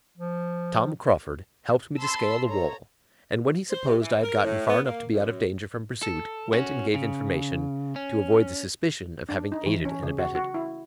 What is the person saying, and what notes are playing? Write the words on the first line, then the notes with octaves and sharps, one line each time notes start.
Tom Crauford helped me to scale the wall; and when he supposed I had got far enough to be out of danger from pursuit, went and gave information, to avoid the suspicion of having aided and abetted.
F3
A5 B5 C6 E6
A4 C#5 A#5
C5
C3
E3
A#4
A2
B3
A#3
F#2
A4
C#4 F#4
C#3
C#4
D4
D#4
E3
C#4
C#3
F#4
F#4
E4